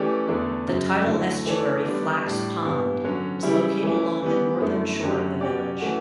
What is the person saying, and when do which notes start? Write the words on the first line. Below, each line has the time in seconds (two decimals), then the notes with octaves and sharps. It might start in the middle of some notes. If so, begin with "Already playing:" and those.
The tidal estuary Flax Pond is located along the northern shore of the village.
Already playing: E3 A3 C#4 G4 D5
0.27 E2 D3 A3 D4
0.68 F#2 C#3 F#3
1.07 D2 D3 A3 E4
1.46 E3 A3 D4 A4 C#5
1.86 D3 G3 B3 D4
2.25 A2 G3 D4
2.65 G2 E3 B3
3.04 D3 F#3 C#4
3.43 C#3 G3 C#4 E4
3.83 E3 A3 C#4 E4
4.22 E3 G3 B3
4.61 F#2 D3 A3 E4
5.01 F#2 D3 F#3 C#4 G4
5.41 F#3 C#4 G4 D5
5.80 E3 A3 C#4 F#4